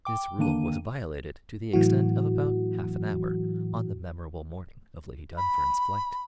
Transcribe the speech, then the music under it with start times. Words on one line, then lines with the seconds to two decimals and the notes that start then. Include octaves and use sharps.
This rule was violated to the extent of about half an hour on the memorable morning of Lady Dunfern's flight.
0.05 G5 D6
0.39 D3 D#3 A#3 D4 D#7
1.73 A2 E3 F#3 F#4
5.37 B5